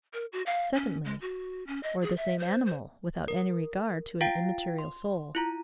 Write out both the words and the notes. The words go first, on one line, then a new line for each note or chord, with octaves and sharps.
Secondly, or the same animal, without any regard to an immaterial soul.
A#4
F#4
F5
C#4
G#3
F#4
C#4
D#5
G#4
E5
C5
C5
A#4
F4 F5 G5 A6 D7
C6
E4 F4 A#5